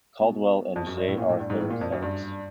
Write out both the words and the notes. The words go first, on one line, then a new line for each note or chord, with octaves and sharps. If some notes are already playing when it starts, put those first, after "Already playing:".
Caldwell and J. Arthur Phelps.
B2
F2
F#2
G2
A2
A#2
A2
G2
G#2
A2
A#2
F2
F#2
G2